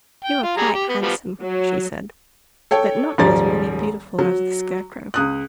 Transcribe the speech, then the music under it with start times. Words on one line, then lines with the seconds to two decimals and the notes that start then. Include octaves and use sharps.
"You are quite handsome," she said; "but not as really beautiful as the Scarecrow."
0.25 G5
0.43 F4
0.57 G3 G#4 A#5
0.75 G4
0.89 B3
1.02 F3 G3 B3
1.41 F#3
2.71 A4 C#5 G5
3.18 D#1 G#2 F3 G3 D5 A6
4.19 F#3
5.14 C#2 D#6 F#6